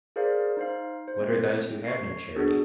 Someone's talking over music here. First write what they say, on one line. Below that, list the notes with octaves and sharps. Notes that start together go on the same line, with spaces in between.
What are those who have no charity?
G#4 A#4 C5 D5 F5
D#4 C5 F5
C5
C4
C#6 G#6 C7
B3 D4 F#4 G#4 A4